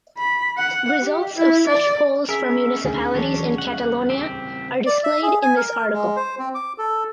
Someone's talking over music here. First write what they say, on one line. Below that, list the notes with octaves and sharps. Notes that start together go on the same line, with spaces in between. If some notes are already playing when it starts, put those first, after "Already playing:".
Results of such polls for municipalities in Catalonia are displayed in this article.
B5
F#5
G4
E4
D5
C#4 G#4 A#4 E5
D2 D#4 G#4 F#5
E3 F#3 D4
C#3 G3 F#5
C4 G4
D5
E5
G#4
G#5
A#4
G#3
C5
C4
D6
A4